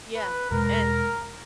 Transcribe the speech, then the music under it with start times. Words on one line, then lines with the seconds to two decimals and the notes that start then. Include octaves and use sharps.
Yeah, and
0.15 B4
0.51 E2 B2 G#3 A#4